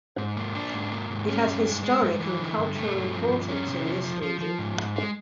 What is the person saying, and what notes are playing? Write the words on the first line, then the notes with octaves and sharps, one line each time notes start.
It has historic and cultural importance in this region.
G#2
A#3
D4
G#2
A#3
G#2
C#4
G2
G#3
G#3
G2
E3
D3
G2
A3
G2
F3
G2
C#4
C3
F3
F3
F3
F3
G#2
G#2
G#3